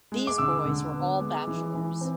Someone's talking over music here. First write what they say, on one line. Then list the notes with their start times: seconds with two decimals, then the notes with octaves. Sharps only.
These boys were all bachelors.
0.12 G#3
0.27 D6
0.38 D3 E6
0.65 D3
0.93 B3
1.20 G#3
1.47 E3
1.74 E3
2.01 C4